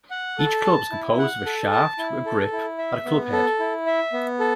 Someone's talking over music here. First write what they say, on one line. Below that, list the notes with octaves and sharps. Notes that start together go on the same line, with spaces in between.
Each club is composed of a shaft with a grip and a club head.
F#5
A4
A5
E4
F#5
A4
A5
E4
A4
E4
E5
B3
A4
E4
E5
B3
A4